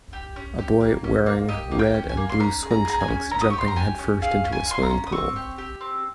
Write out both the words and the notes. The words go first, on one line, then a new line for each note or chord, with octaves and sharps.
A boy wearing red and blue swim trunks jumping headfirst into a swimming pool.
G4
C#4
G4
A#3
C#4
A#3
G4 D#5
A#3
G5
C#4
G#5
A#3
C6
C#4 A#5
G#4
A#5
G#4 A#5
G#5
C#4
C#4 A#5
D#6
C#6
G4
C6
A#5
G4 G#5
C#4
G#4 F5
C#4
G#5
F4 C6
A#5
C#4
D#6
C4 C#6
G4
G4
C4